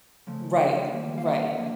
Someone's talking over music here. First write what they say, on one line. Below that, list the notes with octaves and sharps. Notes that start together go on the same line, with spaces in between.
Right, right,
C#3 F3 A3
D#3 G3 A#3
F5
E5 F#5
D3 F3 A#3